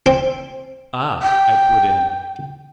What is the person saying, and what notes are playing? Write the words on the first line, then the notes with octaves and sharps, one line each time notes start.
"Ah!" I put in.
C4
G5